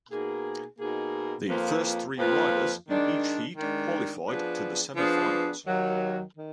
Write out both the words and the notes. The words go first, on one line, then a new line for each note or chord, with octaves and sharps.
The first three riders in each heat qualified to the semifinals.
B2 A#3 D#4 G#4
B2 A#3 D#4 G#4
F2 F3 A#3 F4 B4
F2 F3 A#3 F4 B4
D#3 G#3 D4
D#3 G#3 D4
F3 B3 D4 G#4 B4
F3 B3 D4 G#4 B4
D#2 D#3 F#3
D#3